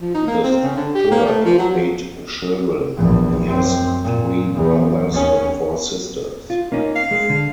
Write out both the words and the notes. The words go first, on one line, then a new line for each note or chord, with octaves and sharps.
The third of eight children, he has three brothers and four sisters.
F3
D#4
A#3
C4
C#3
D3
G4
A#3
A3
F3
F#3
F3
A#1 E2
F#2 C4
A#2
E2
D#2 C#4
F4
A#3 C#4 D#4
F5
G#3
D3